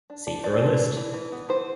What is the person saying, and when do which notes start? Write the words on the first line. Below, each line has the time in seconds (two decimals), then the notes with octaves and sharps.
See for a list.
0.10 D4
0.27 D4
0.44 D4 D5
0.62 D4
0.80 D4
0.97 E3
1.14 E3
1.32 B3
1.49 E3 C5